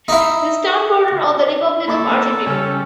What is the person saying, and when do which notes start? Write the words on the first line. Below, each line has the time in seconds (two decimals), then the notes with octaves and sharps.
This town border on the Republic of Argentina.
0.08 D#4 E4
1.88 A#3 A4 B5 C#6 D6
2.46 C#3 G3 C#4 C#5 E6